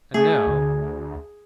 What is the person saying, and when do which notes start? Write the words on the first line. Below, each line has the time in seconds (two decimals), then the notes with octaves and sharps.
And, now!
0.14 A3 G#4
0.47 D2